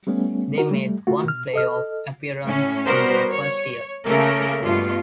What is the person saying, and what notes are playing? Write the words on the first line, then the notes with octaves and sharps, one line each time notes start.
They made one playoff appearance in their first year.
G3 A3 B3 C#4
D#4 F#4 A#4
G3 A3
A3 F4 F#4
B2 F6
A4 D#5 F6
A2 C#4
G3 B3 F#4 A#4 C5
C#5
C#3 A3 A#3 A4 A#4
G2 B2 A3 F4